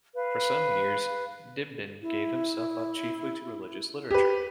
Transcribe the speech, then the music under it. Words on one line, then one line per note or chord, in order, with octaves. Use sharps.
For some years Dibdin gave himself up chiefly to religious literature.
B4 F5
E4
G4 B4